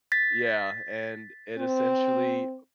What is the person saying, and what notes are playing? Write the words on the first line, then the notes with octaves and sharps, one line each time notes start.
Yeah, and it essentially, u
A6 B6
C4